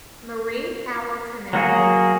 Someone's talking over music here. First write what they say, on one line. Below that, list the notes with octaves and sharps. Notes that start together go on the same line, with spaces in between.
Marie Power Canal.
F#3 A#3 F#4 G#4